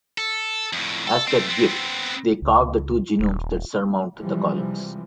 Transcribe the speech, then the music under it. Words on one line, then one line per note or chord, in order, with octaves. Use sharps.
As their gift, they carved the two gnomes that surmount the columns.
A4
F2 A2
A4
A3 C4
B3 C4
C#2
D#1
C3 E3 F3 G3 G#3